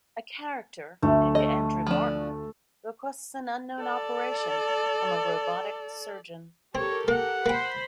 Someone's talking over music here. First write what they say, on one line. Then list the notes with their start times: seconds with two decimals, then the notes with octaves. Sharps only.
A character named Andrew Martin requests an unknown operation from a robotic surgeon.
1.03 D2 A3
1.35 D#5
1.87 F3 D4
3.79 A4 D5
6.75 C4 G4 A4 A#4 C#5
7.08 A#3 F#5
7.46 A#3 C5 G5 B5